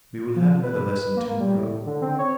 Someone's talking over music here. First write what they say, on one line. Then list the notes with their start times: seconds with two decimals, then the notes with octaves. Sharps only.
We will have another lesson to-morrow.
0.35 F3
0.63 B4
1.17 A#3
1.40 G3
1.57 A2
1.86 D3
2.02 C4
2.18 C#5